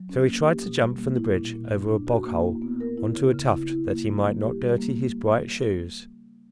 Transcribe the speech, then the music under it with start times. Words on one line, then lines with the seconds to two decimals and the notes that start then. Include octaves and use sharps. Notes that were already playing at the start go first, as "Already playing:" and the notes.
So he tried to jump from the bridge over a bog hole on to a tuft that he might not dirty his bright shoes.
Already playing: F#3
0.09 C#4
0.27 A#3
0.44 G4
0.63 B2
0.81 G3
0.99 A#3
1.17 E4
1.35 A#2
1.54 A#2
1.71 D4
1.89 D4
2.07 F#4
2.26 A#3
2.44 E4
2.62 B3
2.80 A#4
2.97 E4
3.16 C#3
3.34 C#3
3.53 E4
3.70 E4
3.88 A#3
4.06 G3
4.25 A#3
4.43 G4
4.61 G3
4.78 A#3